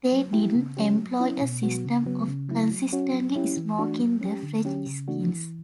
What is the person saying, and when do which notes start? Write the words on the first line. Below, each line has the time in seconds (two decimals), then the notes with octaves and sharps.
They didn't employ a system of consistently smoking the fresh skins.
0.12 F#3
0.33 A3 E4 G4
0.55 C#3
0.77 F#3 C#4 G4
0.98 F#3
1.20 C#4 E4
1.42 B2
1.63 F#3 B3 F#4
1.85 C#3
2.06 F#3 B3
2.28 C#3
2.49 F#3 A3 E4
2.70 F#3
2.93 C#4 F#4
3.13 F#3
3.35 C#4 E4 G4
3.57 E3
3.79 A3 D4 F#4
4.00 F#3
4.21 C#4 G4
4.43 D3
4.65 F#3 C#4 G4
4.86 C#3
5.08 E3 A3 D4 F#4
5.29 E3